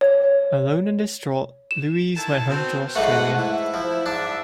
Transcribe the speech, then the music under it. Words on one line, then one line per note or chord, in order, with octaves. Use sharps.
Alone and distraught, Louise went home to Australia.
C#5
E7
D#3 E4 A5
B2 C4
G#2 E3 A3 A4 B4 F#5
E4
F3
G#2 D4 D5 E5